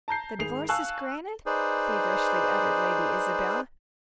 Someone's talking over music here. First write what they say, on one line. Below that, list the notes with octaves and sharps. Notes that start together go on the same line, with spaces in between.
"The divorce is granted!" feverishly uttered Lady Isabel.
A5 A#5 G6 C7
G#1 G#4 C7 F7
F5 G#5 A5 C#6 E6 F#6
D#4 G#4 B4 C5 D5